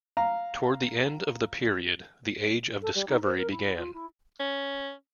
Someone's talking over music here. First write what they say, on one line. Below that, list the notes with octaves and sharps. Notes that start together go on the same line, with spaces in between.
Toward the end of the period, the Age of Discovery began.
F5 A#5
A4
G3
D#4
C5
A#4
E4
F4
E4
C#4